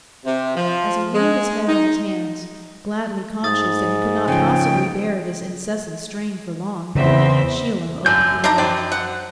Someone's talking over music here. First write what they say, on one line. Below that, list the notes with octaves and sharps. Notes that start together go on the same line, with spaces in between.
As he leaned his head on his hands, gladly conscious that he could not possibly bear this incessant strain for long, Sheila opened the door.
C3
F3
G#3
D#4
G#2 D#6 A6
C#3 F3 G5
E2 C#3 C4 E5
F#2 D3 G#5 G6
D4 D#4 A#5
F#2 C5 D5 G5
F#5